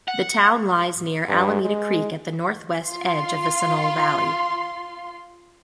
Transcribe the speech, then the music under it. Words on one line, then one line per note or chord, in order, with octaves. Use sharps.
The town lies near Alameda Creek at the northwest edge of the Sunol Valley.
F#5
G2
G#3
F4 C6